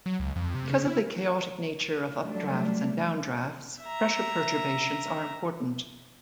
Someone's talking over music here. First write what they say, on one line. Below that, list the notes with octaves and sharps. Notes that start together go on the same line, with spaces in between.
Because of the chaotic nature of updrafts and downdrafts, pressure perturbations are important.
F#3
C#2
F2
C3
C#3
E4
F#3 G3 A3 D4
E5 A#5